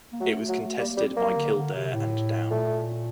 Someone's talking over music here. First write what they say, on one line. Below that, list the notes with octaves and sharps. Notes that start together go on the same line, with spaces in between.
It was contested by Kildare and Down.
A#3
F#3 A3
F#3
G3 A#3
G3 C4
F#3 A#3
D3
D3
C3
A2
A#2 A3